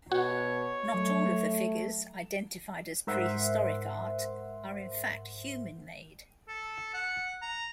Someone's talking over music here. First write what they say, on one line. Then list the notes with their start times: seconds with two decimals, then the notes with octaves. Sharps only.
Not all of the figures identified as prehistoric art are in fact human made.
0.12 B2 F#4 C#5
0.94 F#3 A3
3.07 G#2 A#4 C5 E5 F#5 C6
6.48 A4
6.94 F#5
7.42 A#5